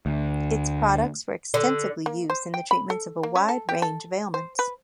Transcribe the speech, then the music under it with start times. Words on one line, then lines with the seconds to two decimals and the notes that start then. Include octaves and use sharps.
Its products were extensively used in the treatments of a wide range of ailments.
0.06 D2
1.54 D3
2.06 A#3
2.30 C5
2.54 G5
2.71 B5
2.90 A4
3.23 A#3
3.35 C#4
3.49 A4
3.69 G4
3.82 A4
4.34 C5
4.59 B4